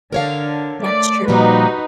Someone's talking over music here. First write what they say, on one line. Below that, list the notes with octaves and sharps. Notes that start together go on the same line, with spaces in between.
Yeah, it's true.
D3 A#4 C#5 F5
A3 D5
A#2 F3 G3 D#4 F#4 B4